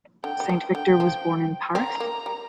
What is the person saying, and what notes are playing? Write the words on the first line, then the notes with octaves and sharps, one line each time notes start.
Saint-Victor was born in Paris.
D3 G5
G3
F3
D3 G5
F3
C4 A#5
A#3
G3